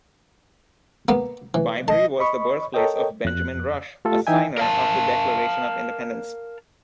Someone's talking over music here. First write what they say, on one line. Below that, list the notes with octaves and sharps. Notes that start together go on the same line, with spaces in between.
Byberry was the birthplace of Benjamin Rush, a signer of the Declaration of Independence.
A#3 B3
E3
D#5 A5
D#5 B5 C#6
A4 A#4 C#5 D#5 G5
F2 F#6
A3 F4 G4 A4
E3 D#4 E5 G5 G#5
A#4 F5 A5